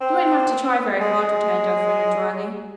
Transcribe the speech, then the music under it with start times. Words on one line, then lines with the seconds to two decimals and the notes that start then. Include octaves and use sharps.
"You won't have to try very hard," returned Elfreda dryly.
0.01 C4
1.00 G#3